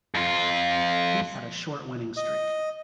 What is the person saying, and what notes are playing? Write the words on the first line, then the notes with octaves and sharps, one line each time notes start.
He had a short winning streak.
F2 F4
D#5